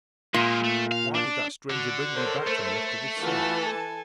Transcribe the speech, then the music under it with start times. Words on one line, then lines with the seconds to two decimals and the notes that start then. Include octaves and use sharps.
Why did that stranger bring thee back to me after this sort?
0.34 A#2 G#3 A#3
0.64 A3
0.92 F5
1.15 D4
1.70 D3 F#4
2.13 A4 A#4 C5 C#5
2.47 A3
3.21 E3 F4 F#4 A5
3.62 A4 G#5